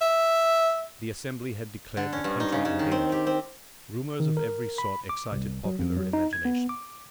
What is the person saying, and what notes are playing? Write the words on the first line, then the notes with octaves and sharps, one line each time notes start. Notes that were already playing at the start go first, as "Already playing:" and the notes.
The Assembly had declared the country in danger. Rumors of every sort excited popular imagination.
E5
D3
C#4
G2
D#4
C#3
C#3
D#3
C4
G4
C4
D#3
A#4
B5
D6
C2
F#3
F2
F#3
D#4
G#6
B3
D6